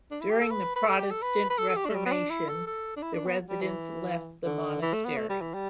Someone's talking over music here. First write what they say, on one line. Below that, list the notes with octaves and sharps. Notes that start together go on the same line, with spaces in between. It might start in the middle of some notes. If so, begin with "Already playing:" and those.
During the Protestant Reformation the residents left the monastery.
D4
E4
G4
A4
B4
B4
A4
G4
A4
B4
B4
A4
A4
G4
D4
A3
G3
B3
D4
E4
A4
A4
D4
E4
D4
B3
G3
E3
D3
E3
A3
B3
A3
G3
E3
G3